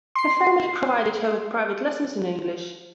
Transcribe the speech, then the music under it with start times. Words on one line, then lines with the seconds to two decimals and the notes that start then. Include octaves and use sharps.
Her family provided her with private lessons in English.
0.15 C6 C7